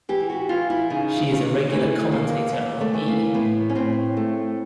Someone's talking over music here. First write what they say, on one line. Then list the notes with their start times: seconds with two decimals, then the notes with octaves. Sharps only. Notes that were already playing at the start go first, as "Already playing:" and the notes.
She is a regular commentator on E!
0.09 E3 G4
0.30 F#4
0.49 E3 F4
0.70 E4
0.90 C#3 D#4
1.31 D#2
1.71 E3 A3
2.12 D#2 A#3
2.53 D#2 B3
2.81 A3
2.94 E3
3.08 A#3
3.34 A2 B3
3.70 C#4
3.75 A2 C4
4.17 A3